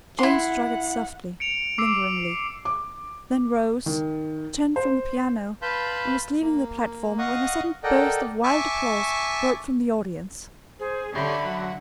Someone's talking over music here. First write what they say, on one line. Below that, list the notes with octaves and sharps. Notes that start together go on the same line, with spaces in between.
Jane struck it softly, lingeringly; then rose, turned from the piano, and was leaving the platform, when a sudden burst of wild applause broke from the audience.
E4 F#5 C6
C#7 D7 F7
D6 E6 C7 D7
D6
D#3
C5
B4 F5 A5 B5 C6 G6
A#3
D#5 F5 F#5 C#6 D#6
A4 A#4 D5 D#5 F#5 G5
E5 G#5 A5 C#6 D6
G#4 C5
D3 G4 C#5 E5 B5 C6
F#3